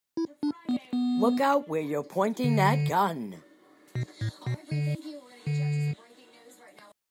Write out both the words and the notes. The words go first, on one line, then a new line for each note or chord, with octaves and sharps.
Look out where you're pointing that gun!
E4
D4
B3
B3
D3
B2
A2
B2
D3
D3